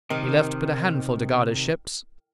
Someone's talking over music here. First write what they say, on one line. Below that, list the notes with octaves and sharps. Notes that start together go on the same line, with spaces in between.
He left but a handful to guard his ships.
C3 D#3